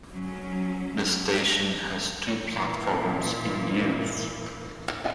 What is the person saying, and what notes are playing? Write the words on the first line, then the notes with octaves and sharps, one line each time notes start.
The station has two platforms in use.
F#3 C#4
A#2 E3